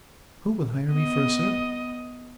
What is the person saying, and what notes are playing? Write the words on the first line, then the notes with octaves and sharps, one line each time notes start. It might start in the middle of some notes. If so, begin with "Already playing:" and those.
Who will hire me for a servant?'
B3 D#5